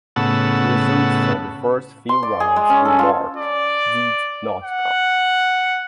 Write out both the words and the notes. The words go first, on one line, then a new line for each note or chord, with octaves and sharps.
Results from the first few rounds in March did not count.
A2 C#3 B3 F#5 A5 E6
C6
D5
G#4
G#3
C#4
A4
F4
D5
F#5